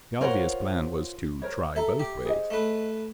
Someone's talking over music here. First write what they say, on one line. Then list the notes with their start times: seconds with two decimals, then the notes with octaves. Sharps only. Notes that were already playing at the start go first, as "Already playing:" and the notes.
The obvious plan was to try both ways.
0.21 F4 A#4 C5 C#5 F5 F#5
1.42 A#4 C5 C#5
1.76 A4 E5 A#5
2.00 G4
2.25 G#4 C5 D#5
2.50 A3 B4